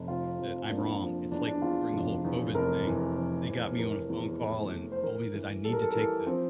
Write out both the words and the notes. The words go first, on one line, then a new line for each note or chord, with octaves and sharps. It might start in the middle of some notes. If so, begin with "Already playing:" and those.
that I'm wrong. It's like, during the whole COVID thing, they got me on a phone call and told me that I need to take the
Already playing: F1
C3 F4
F2
A#3 D4
F3
E2 D4
D4
E2 F4
F1
E2
F1 A#4
E3
F1
F1
E3 A#4
E2
A3
A3
C5
E3 A#4
E3
G3 A4
A#4
A4
A#4
E3 A4
F3 C4